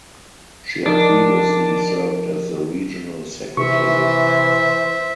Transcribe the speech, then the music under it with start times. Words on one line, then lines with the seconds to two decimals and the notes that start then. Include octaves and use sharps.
She had previously served as the regional secretary.
0.86 F3 D4 D#4 A#4
3.57 C3 E3 C5 E5 C#6